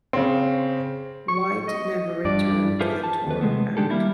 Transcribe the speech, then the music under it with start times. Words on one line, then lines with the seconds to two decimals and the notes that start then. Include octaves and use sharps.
Whyte never returned to the touring act.
0.13 C#3 C4
1.28 C#6
1.67 D#5
2.25 G2 D5
2.81 E4 F4 G#4 A4 B4 C5
3.04 A5
3.27 D#2 B4
3.41 C3 G#3 A3 B3
3.77 D#3 G#3 D4 G4 A4
3.91 G3 A#3 E4